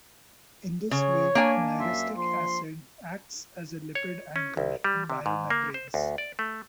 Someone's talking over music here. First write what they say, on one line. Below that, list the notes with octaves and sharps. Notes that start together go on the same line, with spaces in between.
In this way, myristic acid acts as a lipid anchor in biomembranes.
C#3 C#5
A#3 D4 G#5
F#2 E5 C6
F3 C6
C#5
C#4
C2
G3
C3
G#2
A#3
C5
D2
D5
A3